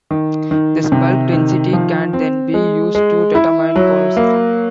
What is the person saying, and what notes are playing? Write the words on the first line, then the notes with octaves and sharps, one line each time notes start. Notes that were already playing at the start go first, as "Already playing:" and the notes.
This bulk density can then be used to determine porosity.
D#3
D#3
C3
D#3
F3
C4
G#3
G#3
E4
F#3
A#3